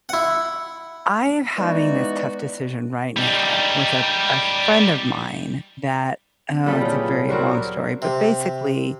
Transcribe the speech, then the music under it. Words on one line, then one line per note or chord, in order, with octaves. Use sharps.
I'm having this tough decision right now with a a friend of mine that Oh, it's a very long story, but, basically,
E4 F#5
E3 G#3 B3 D#4 F#4 D5
G3 D#4
D3 C4
F#3 G3 A#3 B3 F4 A4 B5
A#2 C#3 E4 G5
D2 F#3 G3 F#4 A#4 C5
C3